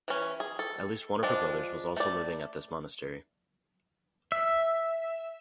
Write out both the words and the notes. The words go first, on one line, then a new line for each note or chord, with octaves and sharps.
At least one of her brothers was also living at this monastery.
E3 C#4
G#4
A4
F3 G#3 D4
A3 D5
E5